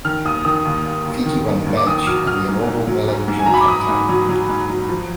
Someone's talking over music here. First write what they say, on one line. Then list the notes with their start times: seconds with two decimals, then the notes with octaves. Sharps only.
Fiji won the match and the inaugural Melanesian Cup title.
0.05 D#3 F6
0.25 D#2 D#6
0.45 D#3 D#6
0.65 D#2
0.85 D#2
1.06 D#2
1.26 D#3
1.46 D#2
1.67 D#2
1.77 D6
1.87 D#3 D#6
2.07 F#3 F6
2.27 F#3 F6
2.47 G#2
2.67 G#2
2.87 F#3
3.08 G#2
3.28 G#2
3.38 G#5
3.46 F#3 A#5
3.54 B5
3.61 D6
3.68 F#3 D#6
3.89 G#2
4.09 F#3
4.29 F#3
4.49 G#2
4.70 F#3
4.89 F3